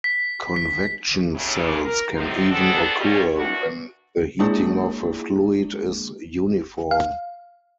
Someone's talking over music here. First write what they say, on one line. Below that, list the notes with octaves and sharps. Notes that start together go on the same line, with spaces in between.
Convection cells can even occur when the heating of a fluid is uniform.
B6
B6
D#2 A2 C#3
A#4
A2 D3 F3 G#3 C4 D#4
B3 C4 D4 F#4 G#4 A4
G3 A3 A#3 F4 C#5 D#5
D2 G2 A#2 D4 F#4
G#3 A#3 D4 E4 F4 G#4
F5